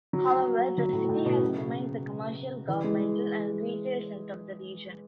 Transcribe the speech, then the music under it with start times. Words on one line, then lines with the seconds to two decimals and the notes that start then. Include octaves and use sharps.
However, the city has remained the commercial, governmental, and retail center of the region.
0.13 F#3
0.78 F#3
0.93 A2
1.09 A2
1.26 B2
1.41 C#3
2.68 E3
2.84 G#3